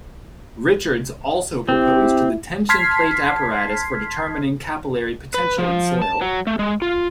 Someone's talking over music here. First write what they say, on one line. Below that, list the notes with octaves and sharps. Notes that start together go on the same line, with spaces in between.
Richards also proposed the tension plate apparatus for determining capillary potential in soil.
C4 E4 G4
A5 C6 F6 G#6 B6 C7
B4
F3
A5
F#3
A3
G#3
F4